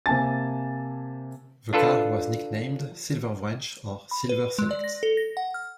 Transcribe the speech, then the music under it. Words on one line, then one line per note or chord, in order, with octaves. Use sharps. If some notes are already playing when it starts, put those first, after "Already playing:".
The car was nicknamed "Silverwrench" or "Silver Select".
C3 A#3 G#5 A5 A6
D4 F4 A4 B4
B5
B4
G#3
D5
A#6
A4
A#6
F#5
F6